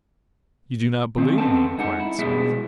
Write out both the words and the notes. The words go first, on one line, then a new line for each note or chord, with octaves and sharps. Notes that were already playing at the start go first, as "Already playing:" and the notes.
"You do not believe me?" inquired Smith.
D#3 C4 C#4
B3 C4 A4 G5 A5
G#3 D#4 F#5
E4
B1 B2 G3 G#3 E4 E5